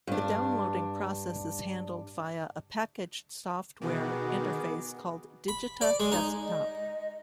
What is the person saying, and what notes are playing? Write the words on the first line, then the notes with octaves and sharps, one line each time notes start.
The downloading process is handled via a packaged software interface called 'Digita Desktop'.
G2 D4
B2 D#3 B3 F#4 G#4 D6
B5
D5
G#3
D#4
D#5